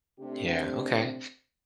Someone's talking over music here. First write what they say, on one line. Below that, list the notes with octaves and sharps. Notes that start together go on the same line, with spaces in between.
Yeah, okay.
C3 A3 C4 D4 G4